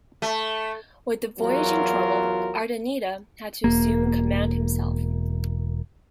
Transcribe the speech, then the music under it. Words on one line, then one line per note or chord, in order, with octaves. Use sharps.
With the voyage in trouble, Urdaneta had to assume command himself.
A3
E2 F#3 F4 F#4 A#4
E1 A#3